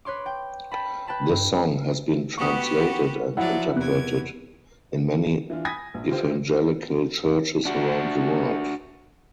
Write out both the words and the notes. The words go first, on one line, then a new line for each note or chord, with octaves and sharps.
This song has been translated and interpreted in many evangelical churches around the world.
B4 C#5 C6 D6
G5
G5 A5 B5
B4 G5 A5 B5
G2
B3 F#4 G4 C#6 D#6
F3 F#3 E4 D5 E5 F#5
E2 C3 B3 F#6 G#6
E3 D4 F4
G#5 B5 D#6 G#6 A#6 B6
A#1
D3 F4 G4 C5
D4 F#4